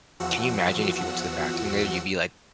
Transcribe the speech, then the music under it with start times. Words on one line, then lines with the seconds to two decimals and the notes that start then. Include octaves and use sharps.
can you imagine if you went to the bathroom there, you'd be, like,
0.20 E2 F3 F#4 F#5 E6